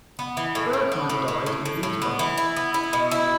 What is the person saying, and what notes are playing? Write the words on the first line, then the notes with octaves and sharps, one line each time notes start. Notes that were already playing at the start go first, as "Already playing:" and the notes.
Bergmann died in Wiesbaden.
B3
E3
A2
A2
B3
A2
A2
A2
A2
A2
B3
E3
E4
B3
E4
B2
E4